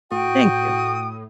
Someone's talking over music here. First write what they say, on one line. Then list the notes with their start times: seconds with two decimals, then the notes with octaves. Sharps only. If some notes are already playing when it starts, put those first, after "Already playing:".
Thank you.
0.12 A2 F#4 G5 D#6